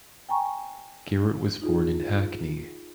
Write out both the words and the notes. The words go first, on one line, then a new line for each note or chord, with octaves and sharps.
Garrett was born in Hackney.
G5 G#5 A#5 C#6
D#4 F4 G#4